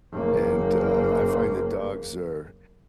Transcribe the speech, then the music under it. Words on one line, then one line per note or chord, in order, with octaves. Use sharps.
and, uh, I find that dogs are
F#1 A#3